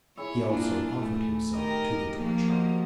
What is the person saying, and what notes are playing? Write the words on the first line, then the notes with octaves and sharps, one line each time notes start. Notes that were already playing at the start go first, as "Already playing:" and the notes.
He also offered himself to the torture.
E4 G#4 C#5 E5
E3 A#3 D4 F4
A2 A3
D#3 G4 A#4 D#5
F3 A#3
F#4 C5 D#5